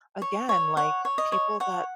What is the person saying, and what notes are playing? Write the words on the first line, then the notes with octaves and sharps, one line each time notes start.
Again, like, people that
C#5
C#5
C#5 F#5
C#5
D#5
C#5
C#5 F#5